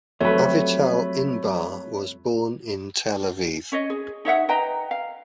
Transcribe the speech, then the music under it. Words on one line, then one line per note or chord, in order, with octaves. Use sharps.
Avital Inbar was born in Tel Aviv.
F2 F#3 G3 A3 B4 C#5
C#4 C#5 D#5
G#4
D#4 C#5 E5 F#5
B4 D#5 G5 A#5
F5